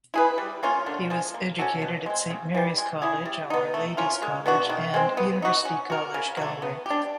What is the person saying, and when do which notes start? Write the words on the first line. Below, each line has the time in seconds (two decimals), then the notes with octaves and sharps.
He was educated at Saint Mary's College, Our Lady's College and University College Galway.
0.14 E4 G#4 B4
0.38 G3
0.63 A#3 C#4 F4
0.86 D3
1.10 F3 G#3
1.34 A#3
1.59 C#4 F#4 A4
1.82 B2
2.06 G#3 C4
2.30 C#3
2.54 E3 G3
2.78 G#3
3.02 C#4 E4 G#4
3.25 G3
3.50 B3 D#4
3.74 A3
3.97 C#4 F4 A#4
4.22 G#3
4.46 B3 D4 F#4
4.69 D#3
4.94 G#3 C4
5.17 B3
5.42 D#4 F#4
5.65 C#4
5.90 F#4 A#4
6.14 C#3
6.37 F#3 A3
6.62 B3
6.86 D4 G4